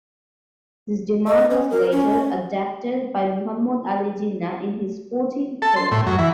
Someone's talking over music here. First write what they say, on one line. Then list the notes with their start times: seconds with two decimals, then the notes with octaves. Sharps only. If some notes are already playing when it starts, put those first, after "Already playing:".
This demand was later adapted by Muhammad Ali Jinnah in his Fourteen points.
1.27 D#5
1.50 C#4
1.70 A#4
1.92 C#4
5.62 A4
5.76 C6
5.91 A2
6.07 F#2
6.19 E3